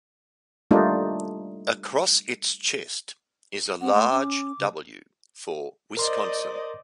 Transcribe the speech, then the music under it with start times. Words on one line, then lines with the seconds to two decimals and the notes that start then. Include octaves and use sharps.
Across its chest is a large W, for Wisconsin.
0.71 G3 A3 A#3 D4 D#4 F4
3.81 C4 F#5
3.94 A3 C6
4.11 C#4 D6
4.59 C#3
5.97 A#4 C5 D5 D#5 C6